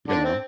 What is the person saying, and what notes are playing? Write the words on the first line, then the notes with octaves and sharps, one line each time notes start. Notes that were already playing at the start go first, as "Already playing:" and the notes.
you know?
D3 D4
C4